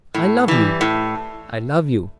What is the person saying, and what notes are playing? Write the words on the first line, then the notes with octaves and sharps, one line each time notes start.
I love you!--I love you!
A2
E3 G3
A2